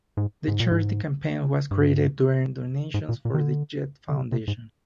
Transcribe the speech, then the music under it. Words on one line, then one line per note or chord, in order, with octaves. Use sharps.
The charity campaign was created to earn donations for The Jed Foundation.
G#2
G#2
A#2
G#2
G2
G#2
A#2
A#2
D#3
D3
D3
C3
C3
G#2